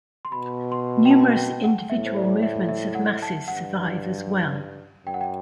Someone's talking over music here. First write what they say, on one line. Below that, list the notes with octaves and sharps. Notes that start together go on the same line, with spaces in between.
Numerous individual movements of masses survive as well.
C6
B2 B5
C6
G5
A5
G5
F#5
A2 E5
C5
D5
E5
E5
F#5
A5
G2 F#5
F#2 G5
F#5
G5